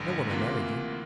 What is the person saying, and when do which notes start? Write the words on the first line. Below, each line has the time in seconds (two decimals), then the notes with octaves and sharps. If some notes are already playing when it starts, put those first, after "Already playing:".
No one will marry you.
Already playing: A1 G2 D3
0.29 D2 C3 E3 A#3 F4